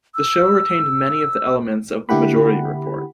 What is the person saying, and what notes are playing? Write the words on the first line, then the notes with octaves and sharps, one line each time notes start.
The show retained many of the elements of "The Majority Report".
E6
D3 A#3 E4 G4 F#5 B5